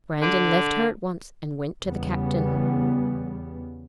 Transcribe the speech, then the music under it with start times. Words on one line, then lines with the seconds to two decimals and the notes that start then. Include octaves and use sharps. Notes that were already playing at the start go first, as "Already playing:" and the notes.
Brandon left her at once and went to the captain.
0.22 D3
1.83 E2 C#3 G3 B3